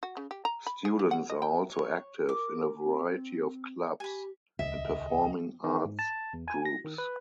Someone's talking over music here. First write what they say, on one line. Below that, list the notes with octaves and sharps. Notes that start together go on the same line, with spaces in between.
Students are also active in a variety of clubs and performing arts groups.
F#4
C#3
G4
A#5
B5
G#4
E3
F#5
D#5
G5
C#5
A#4 D6
C4
G4 G#5 B5
D#1 C#2 D#5 E5
D#3
G#2
A5
E2
G#5
A#6
D#3
B4